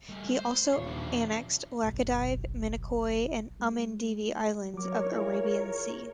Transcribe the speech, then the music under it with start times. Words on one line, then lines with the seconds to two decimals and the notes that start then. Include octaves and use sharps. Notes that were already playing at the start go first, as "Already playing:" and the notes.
He also annexed Laccadive, Minicoy and Amindivi islands of Arabian sea.
0.09 G3 A3
0.35 C5
0.73 D#1 C#5 C7
0.87 F3 D4
1.83 F#1 B1
3.60 G#3
4.74 F#3 A#4 C#5 D6
5.12 E4 F4 G#4